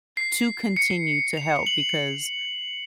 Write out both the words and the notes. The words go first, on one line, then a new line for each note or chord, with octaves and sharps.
to continue to help because
C7
C#7
F7
F#7